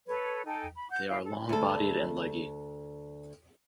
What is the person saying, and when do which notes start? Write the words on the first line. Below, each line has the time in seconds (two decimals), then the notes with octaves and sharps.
They are long-bodied and leggy.
0.07 A4 B4 C#5
0.45 D#4 A4 G5 G#5
0.75 B5
0.90 F#5 G6
1.08 E4 F5 G5
1.23 A4
1.49 D2 A4